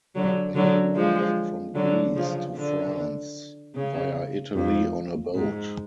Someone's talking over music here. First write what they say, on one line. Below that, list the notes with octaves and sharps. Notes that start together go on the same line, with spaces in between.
They arrived from Greece to France via Italy on a boat.
D3 F#3
D3 F#3
F3 G#3
D3 F#3
C#3 F3
D3
C#3
F2
G#2